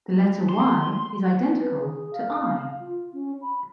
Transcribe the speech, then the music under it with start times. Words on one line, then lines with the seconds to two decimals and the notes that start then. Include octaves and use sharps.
The letter "y" is identical to 'i'.
0.49 C6
1.61 B4
1.80 G#4
2.13 F5
2.80 F4
3.14 C#4
3.42 B5